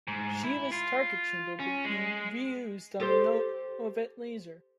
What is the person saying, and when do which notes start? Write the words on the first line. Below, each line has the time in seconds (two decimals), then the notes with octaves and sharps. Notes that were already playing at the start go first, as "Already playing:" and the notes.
Shiva's target chamber would be reused on the Novette laser.
0.07 G#2
0.44 E4
0.72 F4
1.60 C#4
1.85 G#3
3.00 G4 A4 C5